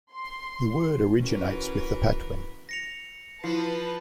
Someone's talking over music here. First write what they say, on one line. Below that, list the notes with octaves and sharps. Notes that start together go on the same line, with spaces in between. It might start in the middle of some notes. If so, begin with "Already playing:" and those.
The word originates with the Patwin.
C6
E3 C#4 F#4 A#4 B4
A#6 C#7 F7
F3 E4 B4 A5